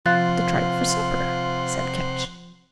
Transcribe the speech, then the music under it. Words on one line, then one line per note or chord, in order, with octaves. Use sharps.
"The tripe for supper," said Ketch.
C3 F3 F4 C5 F5 F#5 F#6 A6